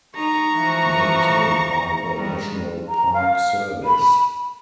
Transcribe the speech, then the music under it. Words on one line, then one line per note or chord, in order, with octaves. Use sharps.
Maintained by the National Park Service.
D#4 A#5 C#6
E3 F3
G3 G#3
A#5
F5
B5